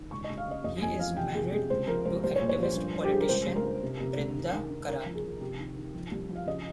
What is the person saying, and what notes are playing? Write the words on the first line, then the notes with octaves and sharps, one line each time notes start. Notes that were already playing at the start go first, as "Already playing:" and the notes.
He is married to activist-politician Brinda Karat.
Already playing: D#3
C#2 C#6
D#5
C#2
F5
C#3 D#5
F2 D#5
F2 G#5
F3 F5
C3 G5
C3 G#4
C3 G#4
C#2 C5
F3 A#4
C#2 C5
C2 C5
C#5
A#2
C#5
F3 C5
G2
G2
G4
G2 G#4
A#4
C#2 C5
C#2
A#4
C#2
C3
C3
C#2
D#3
D#3
D#3
C#3 A#4
F3
G#4
F3
C3 G4
D#3
D#3
F3
C2
F3
F5
C#3 D#5